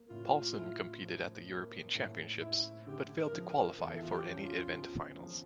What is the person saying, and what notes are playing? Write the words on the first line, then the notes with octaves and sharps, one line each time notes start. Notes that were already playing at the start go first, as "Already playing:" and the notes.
Paulsson competed at the European Championships but failed to qualify for any event finals.
Already playing: A#3
A2 F4
E4
F3
A#3
A2
E4
D3 G4
A#4
F3
A#4
E2 A4
E4
F4
G4
C#4
F4
D3
F3